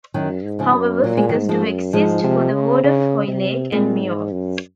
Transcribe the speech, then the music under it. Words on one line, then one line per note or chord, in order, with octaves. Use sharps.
However figures do exist for the ward of Hoylake and Meols.
F#2 D#3 F#3
G#2
C#3 F3
F#2
A#2 F#3
G#3
D#3 F#3
G#2
F3 G#3
F#2
G#2 F3 G#3
C3
C#3
C#3
C3
A#2 G#3 C4
G#2
F#2